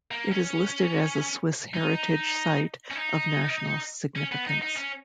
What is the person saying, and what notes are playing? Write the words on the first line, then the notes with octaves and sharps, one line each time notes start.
It is listed as a Swiss heritage site of national significance.
A#3
C#4
D#4
C#4
D#4
C#4
B3
D#4
D#4
C#4